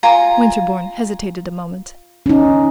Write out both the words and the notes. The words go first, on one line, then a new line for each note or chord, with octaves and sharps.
Winterbourne hesitated a moment.
F4 G#5 A#5
C#4 D#4